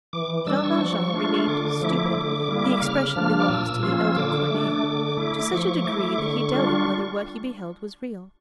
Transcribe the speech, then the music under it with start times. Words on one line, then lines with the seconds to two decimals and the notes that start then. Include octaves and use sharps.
Jean Valjean "remained stupid"--the expression belongs to the elder Corneille--to such a degree that he doubted whether what he beheld was real.
0.13 E3 D6
0.46 G3 D4 E6
0.64 C#6
0.80 F3
1.14 A3 D4 F4
1.47 D3 D6
1.81 F3 A3 E4 D6
2.15 D3
2.49 G3 A#3 E4
2.82 C#3 F6
3.15 F3 A#3 D4 F6
3.40 D6
3.49 A#2 E6
3.83 F3 A#3 C#4 F4
4.17 D3 D6
4.50 A3 D4
4.84 D3
5.17 A3 E4
5.51 F3 C#6
5.84 A3 E4 D6
6.18 D3 C#6
6.52 G3 D4 F4